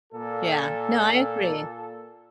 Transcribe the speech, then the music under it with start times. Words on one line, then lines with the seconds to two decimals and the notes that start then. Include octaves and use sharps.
Yeah, no, I agree.
0.12 A#2 A4